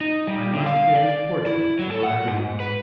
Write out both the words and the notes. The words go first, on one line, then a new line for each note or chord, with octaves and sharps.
I must give his portrait to my readers.
D#4
G3
D3
F5
D5
E4
F#3
A4
F#5
G#2
B4